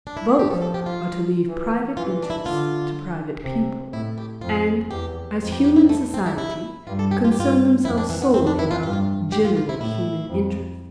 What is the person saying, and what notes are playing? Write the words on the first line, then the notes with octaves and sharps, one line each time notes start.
Both are to leave private interests to private people, and, as human society, concern themselves solely about general human interests.
D4
E4
F4
G4
F3 A4
A4
G4
F4
E3
E3 F4
D4
E4
D3 F4
C3
A2 E4
G4
F2 F4
E2 G4
F2
G4
G4
E4
A3
C4
E4
E4
G2 F4
A4
G4
F4
G4
G2 F4
F2 E4
D4
E3
B3
F2 C4
D4
E4
F4
G2 F4
G4
F4
F4
E4
A2 E4
F2